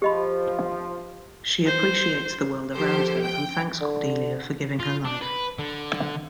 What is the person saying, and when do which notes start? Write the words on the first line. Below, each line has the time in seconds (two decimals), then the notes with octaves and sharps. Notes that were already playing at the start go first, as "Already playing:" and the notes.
She appreciates the world around her and thanks Cordelia for giving her life.
0.02 F3 G4 D#5 B5
1.66 C5
2.74 F3 G4 A4 C5
3.22 G5
3.81 D3
4.80 F4
5.05 D4
5.21 B4
5.59 D3